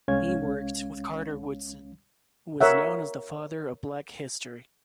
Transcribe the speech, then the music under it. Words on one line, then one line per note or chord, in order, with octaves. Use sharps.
He worked with Carter Woodson, who was known as the "Father of Black History".
C2 G#3 C#4 C#5 F5 G#6
A#4 C#5 E5 F#5